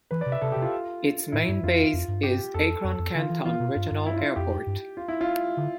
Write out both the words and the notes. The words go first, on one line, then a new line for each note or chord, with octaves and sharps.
Its main base is Akron-Canton Regional Airport.
E3 B4
D5
C3
E5
C3 A4
C3 G4
F4
A2 E4
G2
F2 F4
F2
G2
G4
F2 A4
F2
F2
D3 F4
E3
E3 F4
B2
G2
G2
E4
F4
F2 G4
G2
F4
E4
F4
D3